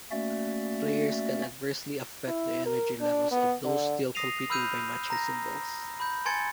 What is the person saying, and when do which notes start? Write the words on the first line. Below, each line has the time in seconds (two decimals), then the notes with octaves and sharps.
Players can adversely affect the energy levels of those still competing by matching symbols.
0.11 A3 A#3 C#4 F#4 D5 E5
2.28 E4
2.66 A#4
3.01 D4
3.32 B3
3.64 D3
4.15 D#6 A#6 C7 D#7 F7
4.50 B5 E6 F6 G6 D#7 F7
5.10 A#5 A#6
6.00 B5 G6
6.25 G#5 A5 C6 G#6 A6 C#7